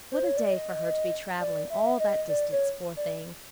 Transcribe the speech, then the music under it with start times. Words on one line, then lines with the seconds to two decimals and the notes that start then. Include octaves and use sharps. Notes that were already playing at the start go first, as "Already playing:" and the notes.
'What a day for her to be travelling all that distance, poor thing!
0.12 C5
0.24 C#5
0.37 D5
0.50 D#5
1.40 D5
1.70 E5
2.00 D#5
2.29 D5
2.52 C#5
2.97 D5